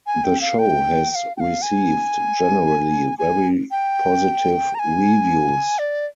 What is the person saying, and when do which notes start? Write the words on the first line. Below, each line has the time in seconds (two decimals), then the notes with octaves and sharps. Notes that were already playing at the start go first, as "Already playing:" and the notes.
The show has received generally very positive reviews.
0.07 G#5
0.24 G5
0.41 F5
0.59 G5
1.10 G5
1.15 F5
1.37 G5
1.40 F5
1.62 G#5
3.18 G#5
3.71 G5
4.75 A#5
4.79 G#5
5.79 D5